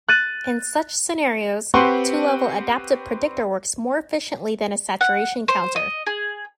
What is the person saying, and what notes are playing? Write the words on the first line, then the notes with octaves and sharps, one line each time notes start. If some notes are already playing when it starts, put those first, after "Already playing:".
In such scenarios, two-level adaptive predictor works more efficiently than a saturation counter.
F#6 A6 D#7
C4 G4 B4 F#5 C6 C#6
F#5
C5
D#5
G#4